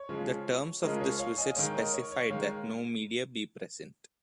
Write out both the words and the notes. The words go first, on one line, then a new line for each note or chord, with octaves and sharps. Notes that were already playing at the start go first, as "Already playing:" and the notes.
The terms of this visit specified that no media be present.
Already playing: C#5
C#3 F3 G#3
C#3 F3 G#3 A#4 D#5
C#5
C#5 F5
D#5 G#5
D#3 G#3 C#5 F5
A#4 D#5
C#5
C#5
D#3 G#3 C#5 F5